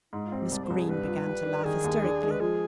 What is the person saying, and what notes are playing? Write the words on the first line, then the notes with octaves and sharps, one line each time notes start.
Miss Greene began to laugh hysterically.
G#2 D#4
F4
C4
G4
C2 D5
C5
C2
G#4
G2 B4
F4
G3
D4
D#3 G#4
D#2
D4
G#3
B4
F3 G#4